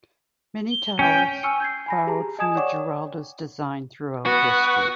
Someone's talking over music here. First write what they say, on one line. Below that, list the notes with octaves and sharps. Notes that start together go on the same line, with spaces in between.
Many towers have borrowed from the Giralda's design throughout history.
G7
C#4 G5
G#5 C#6 E6 F6 C#7 D#7
G6 G#6 C7
G#5 B5 A#6
G4 G#4 A5 A#5
D#5 G#5 A5 D#6 G#6 E7
C#5 D5 F#5 G5 C#6 D6
B3 F#4